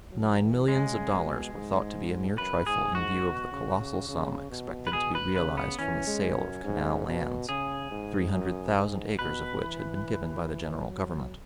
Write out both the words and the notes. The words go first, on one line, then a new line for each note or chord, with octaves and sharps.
Nine millions of dollars were thought to be a mere trifle in view of the colossal sum expected to be realized from the sale of canal lands, three hundred thousand acres of which had been given by the general Government.
F#3
E3
C#3 G#3
B2
G#2
F#2 B4
G#2 G#4
G#2 F#4
B2
C#3
C#3
C#3
B2
B4
B2 G#4
B4
C#3 B4
B3
E3 C#4
G#3
F#2
G#2
B2
C#3 G#4
G#2
F#2
G#2
B2 B4
E3
F#3